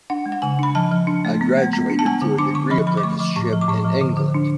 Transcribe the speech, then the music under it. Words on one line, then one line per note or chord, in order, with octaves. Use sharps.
I graduated through a degree apprenticeship in England.
D4 F#5
G#3
F#5
C#3 G#5
D4 B5
F3 A5
F3
D4
A3
B3
G#3
B3
D4
A5
G#3 G#5
D3
D4 D6
D3 C#6
F3 B5
F3 B5
D6
A3 C#6
F3 D6
A2 C#6
F3
D6
A2 C#6
F3
D3
D3
D4